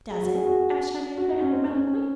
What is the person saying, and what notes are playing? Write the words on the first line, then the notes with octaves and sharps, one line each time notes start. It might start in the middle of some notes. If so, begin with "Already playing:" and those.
"Does it?" asked Henriette, enigmatically.
G#4
F#4
G#4
F#4
F#4
D#4
C#4
C4
C4
C#4